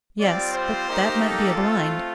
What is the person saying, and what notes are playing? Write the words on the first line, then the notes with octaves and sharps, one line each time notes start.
"Yes; but that might be a blind."
G3 C4 F4 D5
C5
A#3 D#4 G4
A4
A3 C4 F4